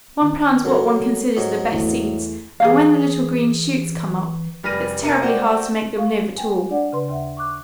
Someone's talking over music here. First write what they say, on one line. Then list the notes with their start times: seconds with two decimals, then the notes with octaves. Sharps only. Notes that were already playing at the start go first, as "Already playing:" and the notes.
One plants what one considers the best seeds, and when the little green shoots come up, it's terribly hard to make them live at all.
0.21 D#3
0.65 F#3 F#4 A4 A#4
1.37 G#2 F#3
1.72 E2 A3
2.60 E3 G#4 F5
4.63 F1 G3 B5 F6 A#6 D#7
5.02 C3 A#4 A#5 C#7 D#7
5.22 F#4 C5 D5 G5
5.97 F5 C#6
6.37 G5 G#5
6.70 D4 D5 F#5
6.93 C#3 B4 C6
7.08 D#2 C#3 E5 F#5
7.37 C#6 D6 F#6